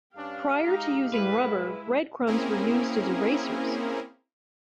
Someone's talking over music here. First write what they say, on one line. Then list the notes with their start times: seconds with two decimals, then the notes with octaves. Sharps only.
Prior to using rubber, breadcrumbs were used as erasers.
0.17 G2 C#4 D4 G4 F5
0.64 G#3 D#4 A#5
1.14 G#2 G3 G#3 E4 B4
2.27 A#3 C4 C#4 E4 G#4 A#4